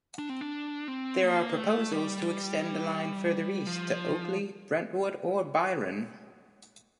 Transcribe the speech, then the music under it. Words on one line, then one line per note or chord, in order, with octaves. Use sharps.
There are proposals to extend the line further east to Oakley, Brentwood, or Byron.
D4
C4
D4
C4
A#3
A3
G3
F3